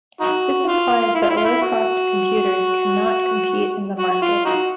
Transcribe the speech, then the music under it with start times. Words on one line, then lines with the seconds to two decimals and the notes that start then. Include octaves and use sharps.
This implies that low-cost computers cannot compete in the market.
0.21 D#4 F#4
0.68 F4
1.15 E4
1.22 F4
1.29 E4
1.37 F4
1.45 E4
1.62 F#4
3.99 F#4
4.11 F#4
4.22 F4
4.46 D#4 F#4